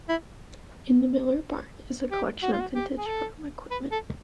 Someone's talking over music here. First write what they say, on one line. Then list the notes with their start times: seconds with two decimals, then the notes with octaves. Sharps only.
In the Miller Barn is a collection of vintage farm equipment.
0.09 E4
2.11 G4
2.43 F#4
2.53 F4
2.61 F#4
2.75 G4
2.98 G#4
3.06 A4
3.71 B4
3.92 A4